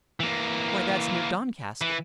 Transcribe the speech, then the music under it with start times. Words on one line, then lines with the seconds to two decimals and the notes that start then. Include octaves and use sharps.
"Why, that's near Doncaster."
0.20 E3 A#3
1.81 E3